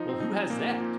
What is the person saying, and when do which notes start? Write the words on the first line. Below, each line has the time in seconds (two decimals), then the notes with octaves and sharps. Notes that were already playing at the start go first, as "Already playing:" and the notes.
Well, who has that?
Already playing: F3 D#4
0.09 C4
0.20 F3 D#4
0.50 A#2 A#3
0.80 A#2